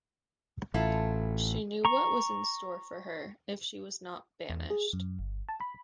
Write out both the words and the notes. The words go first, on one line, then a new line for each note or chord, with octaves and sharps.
She knew what was in store for her if she was not banished.
A1 E4 F4 A4
A#5 C#6
E2
G#4
F#2
G1
A5
B5